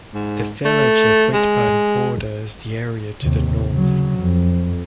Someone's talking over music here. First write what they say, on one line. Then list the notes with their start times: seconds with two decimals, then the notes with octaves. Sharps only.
The village of Whitburn borders the area to the north.
0.15 G#2
0.65 A3
1.34 G#3
3.22 D#2 C3
3.71 C#3 F#3
4.19 F2